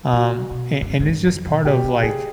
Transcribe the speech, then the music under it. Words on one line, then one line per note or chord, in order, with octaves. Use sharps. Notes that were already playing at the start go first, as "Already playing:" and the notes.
um, a and it's just part of, like,
C#3 F#4
B2
A2
G#2
G#2
G2
F2
B2
A#2 G4
B2
C#3 G#4